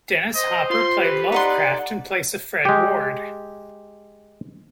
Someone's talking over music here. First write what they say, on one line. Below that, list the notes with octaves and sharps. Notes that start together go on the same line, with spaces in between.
Dennis Hopper played Lovecraft in place of Fred Ward.
C5 D#5
F4 C6
G4 A4 B4
D#4 D5 F#5 C6
G#3 G4